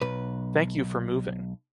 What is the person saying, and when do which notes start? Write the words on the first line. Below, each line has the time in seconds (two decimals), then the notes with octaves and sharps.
Thank you for moving.
0.02 B1 B4